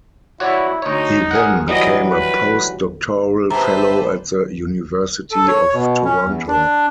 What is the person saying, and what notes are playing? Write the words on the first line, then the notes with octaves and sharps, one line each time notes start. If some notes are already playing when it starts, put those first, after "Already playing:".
He then became a post-doctoral fellow at the University of Toronto.
E4 F#4 C#5 D5
D2 D#4 C#5
G#4 A#4 F#5
E3 F#3 G3 D#5
B4
G4 B4 C5 E5 A5 A#5
A4
C#5
B2
C#4
E2
D4